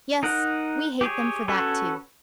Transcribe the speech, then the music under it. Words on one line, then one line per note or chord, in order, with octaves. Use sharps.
Yes, we hate them for that too.
D#4 A#4 F#5
G4 G#4 C#5
C#4 F#4 A4 B4 C#5